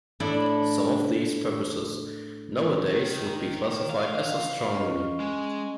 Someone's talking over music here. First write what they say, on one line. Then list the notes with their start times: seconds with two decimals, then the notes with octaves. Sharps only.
Some of these purposes nowadays would be classified as astronomy.
0.20 A2 D4 E4 A4
2.90 D#3
3.90 F5
4.71 C#4 D#5
5.20 G#3